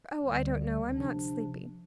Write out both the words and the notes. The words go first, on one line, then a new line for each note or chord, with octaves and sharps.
"Oh, I don't know, I'm not sleepy."
D2 D3 G3
C3 F3 D4